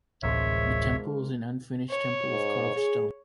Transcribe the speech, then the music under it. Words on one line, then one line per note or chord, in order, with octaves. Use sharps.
The Temple is an unfinished temple of carved stone.
D1 A1 G#2 C3 F3 A#4 C#5 E5
C#5
G#2
G#4